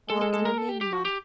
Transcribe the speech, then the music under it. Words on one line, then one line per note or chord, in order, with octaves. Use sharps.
What an enigma!
G#3 A4
A4
A4
A#4
A4
G4
G4
F#4
G4